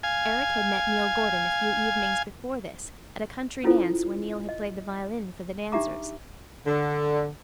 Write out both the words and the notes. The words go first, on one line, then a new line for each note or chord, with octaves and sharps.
Eric had met Neil Gordon a few evenings before this, at a country dance where Neil had played the violin for the dancers.
F5 G#5
C#4 E4 F4 A4 C5
D#5
D4 D#4 G4 E5 A#5 D6
D3